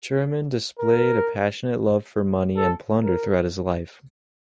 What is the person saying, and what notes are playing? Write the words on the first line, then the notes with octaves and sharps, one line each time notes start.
Churaman displayed a passionate love for money and plunder throughout his life.
A#4
A4
A#4